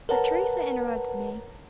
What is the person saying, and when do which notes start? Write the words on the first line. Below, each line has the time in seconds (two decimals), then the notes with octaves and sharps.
But Teresa interrupted me.
0.09 A#4 B4 C#5 F#5 A5 A#5